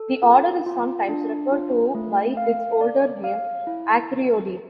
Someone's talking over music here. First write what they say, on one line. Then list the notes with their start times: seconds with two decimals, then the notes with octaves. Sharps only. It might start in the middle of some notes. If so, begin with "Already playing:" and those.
The order is sometimes referred to by its older name "Acreodi".
Already playing: A4
0.22 F4
0.66 F4
1.09 D4
1.52 F4
1.95 A3
2.37 F5
2.81 D5
3.24 F5
3.67 E4